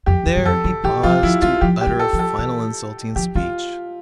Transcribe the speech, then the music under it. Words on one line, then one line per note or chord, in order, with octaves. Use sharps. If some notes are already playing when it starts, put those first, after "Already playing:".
There he paused to utter a final insulting speech.
F2 G4
E2
G2
F2 A4
D3
E3 G4
F3 F4
F3 E4
G3 F4
F3 G4
G4
G3
A4
F3
A4
E3
F3 G4
G3 F4